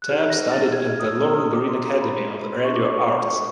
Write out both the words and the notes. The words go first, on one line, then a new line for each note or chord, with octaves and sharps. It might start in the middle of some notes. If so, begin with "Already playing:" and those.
Tapp studied at the Lorne Greene Academy of Radio Arts.
F#6
D#4 G4 C5 F6
A#6
A6
G#6
F6
D#6
E6
E6
D4 G4 C5 D#6
D6
C6
A#5
B5
C6
D4 F4 A4 C#6
D6
C#6
C#6